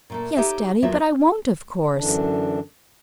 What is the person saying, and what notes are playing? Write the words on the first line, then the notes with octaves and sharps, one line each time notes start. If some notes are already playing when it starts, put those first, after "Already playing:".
"Yes, daddy; but I won't, of course."
A#2 A3 A#3
D#4 G4 A4 C#5 E5
D#2 F3 F#3 B3 F4 E5
F#2 D3 E3 D4